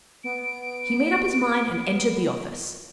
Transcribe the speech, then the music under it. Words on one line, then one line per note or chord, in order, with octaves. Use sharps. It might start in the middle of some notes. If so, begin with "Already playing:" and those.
He made up his mind, and entered the office.
B3 D7